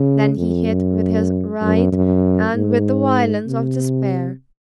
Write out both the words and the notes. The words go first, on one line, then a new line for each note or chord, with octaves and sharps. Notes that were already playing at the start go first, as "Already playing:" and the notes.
Then he hit with his right and with the violence of despair.
Already playing: C#3
F2
F#2
F#2
F#2
G#2
C3